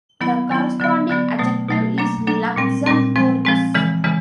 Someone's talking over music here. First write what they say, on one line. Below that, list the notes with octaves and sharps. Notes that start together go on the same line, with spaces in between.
The corresponding adjective is "Luxembourgish".
D#3 F#3 B3 E4
D#3 F#3 B3 E4
D3 F#3 B3
D3 F#3 B3
B2 F#3 A3
B2 F#3 A3
F#3 A#3 D4
F#3 A#3 D4
A#2 G3 C4
A#2 G3 C4
F3 G#3 C4
F3 G#3 C4
C#3 E3 G#3
C#3 E3 G#3